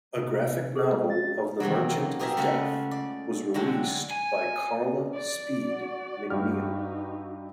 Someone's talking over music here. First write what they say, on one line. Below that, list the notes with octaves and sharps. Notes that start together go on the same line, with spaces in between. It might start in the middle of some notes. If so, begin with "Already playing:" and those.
A graphic novel of the Merchant of Death was released by Carla Speed McNeil.
C3
G#4 A4 C5
G#3
A6
C3 D#3 E3 F#3
A#3
F4 G4 G#4 A#4 D#5 E5
C#3 G#3 A3 F4 F#4 A4
D5
D3 F#3 G#3 F#4 G5
G#5
D5
F#4
G2 D#4 G4 F6